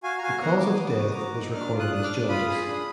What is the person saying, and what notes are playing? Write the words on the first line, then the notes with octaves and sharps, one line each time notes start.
The cause of death was recorded as jaundice.
F#4 F5 G#5
A#5
F#4 F5 G#5
B3 F#5 A#5
B3 D6
D#6
B3
D6
F#4 D#6
F#4 A#5 D6
D#4
D4 D6 F6
F4
D#6 F#6
D4 F#6
D6 F6
D4
F4 B5 D#6
G#4
D4